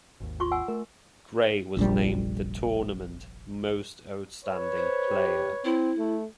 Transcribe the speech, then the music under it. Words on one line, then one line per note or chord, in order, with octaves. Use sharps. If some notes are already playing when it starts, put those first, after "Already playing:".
Gray was named the Tournament Most Outstanding Player.
G#1 D#2
F4 C6 C#6
F#5 G#5 E6
A3 A#4
F1 A#1 G3
B4 C#5
C5
G4
C4 E4
A3